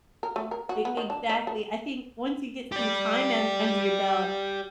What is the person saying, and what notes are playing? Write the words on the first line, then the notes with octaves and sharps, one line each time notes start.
E exactly. I think, once you get some time in under your belt,
A#4
A3
A#4
F#4
B3
D#3
D4
D#4
A3
G4 D5